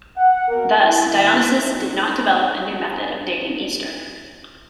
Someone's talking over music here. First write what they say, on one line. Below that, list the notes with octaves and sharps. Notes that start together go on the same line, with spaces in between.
Thus Dionysius did not develop a new method of dating Easter.
F#5
B2 A#3 A#4
E4
D#3 A#3
D#4
B2 F#3 A#3